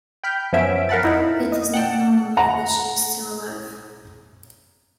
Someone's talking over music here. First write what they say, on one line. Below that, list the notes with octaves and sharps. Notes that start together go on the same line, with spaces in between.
It is not known whether she is still alive.
G5 B5 F6 G6
F#2 F3 B3 C#4 E5 D7
A#4 F5 F#5 A5 B5 A6
F2 D#4 E4
D#5
F#5 G5 A5
F#5 A#5